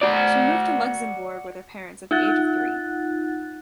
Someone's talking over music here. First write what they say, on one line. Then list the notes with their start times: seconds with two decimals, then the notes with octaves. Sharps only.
She moved to Luxembourg with her parents at the age of three.
0.01 F#4 D5
2.11 D#4 F4 F#5 F#6 A6